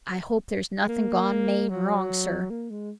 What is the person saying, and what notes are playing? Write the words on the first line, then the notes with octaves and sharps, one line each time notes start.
I hope there's nothing gone main wrong, sir.
G#3
A#3
F#3
A#3
G#3